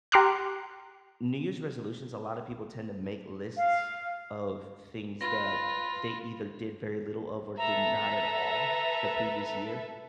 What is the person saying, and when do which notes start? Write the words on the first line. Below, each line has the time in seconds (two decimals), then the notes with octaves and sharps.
New Year's resolutions, a lotta people tend to make lists of things that they either did very little of or did not at all the previous year,
0.12 G4 A#5 C6 D6 F6 F#6
3.56 F5
5.21 F4 B4 A#6
7.58 A4 B4 E5 A#5